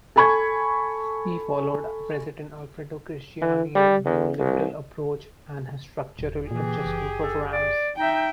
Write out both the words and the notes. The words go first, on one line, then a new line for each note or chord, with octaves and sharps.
He followed president Alfredo Cristiani's neoliberal approach, and his structural adjustment programs.
A4 G#5 B5 C#6 G#6
E3
G3
E2
C2
D#1
A#2 E3 G4 G#4
F#1
A4
D5
D#4 E5 G5